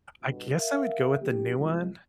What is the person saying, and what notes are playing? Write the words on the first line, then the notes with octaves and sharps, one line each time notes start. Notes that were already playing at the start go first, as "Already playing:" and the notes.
I guess I would go with the new one.
G1 B2
A#4 E5 F5
F3 A#3 D4 G4
C2 F3 G#3